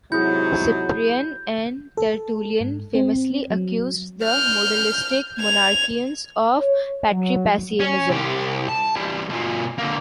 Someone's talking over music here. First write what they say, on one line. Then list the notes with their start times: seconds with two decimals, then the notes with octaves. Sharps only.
Cyprian and Tertullian famously accused the Modalistic Monarchians of patripassianism.
0.12 G#2 C3 F#3 E4 G#4 G6
1.97 A4
2.61 G#2
2.95 C4
3.50 F#3
4.24 F6 G6
5.40 G#6 F7
6.59 C#5
7.11 F#3
7.80 C#4
8.10 C2 G4
8.68 A5
8.96 E3 G3
9.29 B2 F4
9.79 D3 A#3